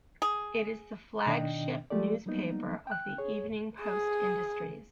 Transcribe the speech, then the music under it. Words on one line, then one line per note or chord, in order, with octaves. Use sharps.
It is the flagship newspaper of the Evening Post Industries.
G#4
B2 D#3 D4 D#5 G5
F3 G#3 A3 G4 A4 D5
F#3 G3 A#3 B3 D#4
G5 F#6
G#4 C#5
G#4